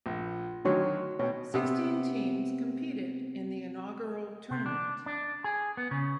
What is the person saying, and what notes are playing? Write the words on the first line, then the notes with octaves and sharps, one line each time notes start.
Sixteen teams competed in the inaugural tournament.
A#1
D3 D#3 F#3 F#4 C#5 C6
B2 C#5 G5
C3 B3
C3
D4
D4
G#4
B3
C#3